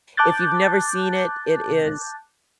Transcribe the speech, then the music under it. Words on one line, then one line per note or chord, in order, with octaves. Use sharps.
if you've never seen it, it is
A5 D6 F#6 G6 A6